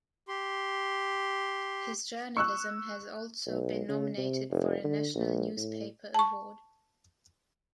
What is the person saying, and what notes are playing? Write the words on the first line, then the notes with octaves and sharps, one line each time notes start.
His journalism has also been nominated for a National Newspaper Award.
G4 C6
C#6 E6 F#6
B1
C#3
C3
F1
D3
A#1
A2
A5 C#6